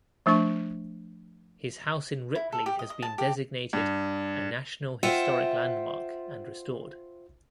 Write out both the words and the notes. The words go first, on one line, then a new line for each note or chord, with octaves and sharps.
His house in Ripley has been designated a National Historic Landmark and restored.
F3 A3 D4 C#6
E4
A4
G4
D#5
D#5
A5
G4
G2
F4 C5 E5 F#5 G5